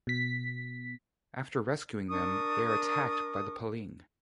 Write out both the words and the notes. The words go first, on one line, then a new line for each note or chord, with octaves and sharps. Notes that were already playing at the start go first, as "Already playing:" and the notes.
After rescuing them, they are attacked by the Paling.
B2 B6
D4 A#4 C#6 D#6